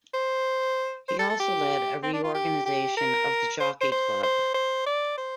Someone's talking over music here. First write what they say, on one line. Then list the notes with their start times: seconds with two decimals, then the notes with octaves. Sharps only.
He also led a reorganisation of the Jockey Club.
0.14 C5
1.08 C5
1.19 A4
1.29 A4
1.40 G4
2.03 C4
2.13 D4
2.24 F4
2.34 G4
2.65 G4
2.97 A#4
3.60 C5
3.81 C5
3.92 C5
4.23 C5
4.54 C5
4.86 D5
5.17 C5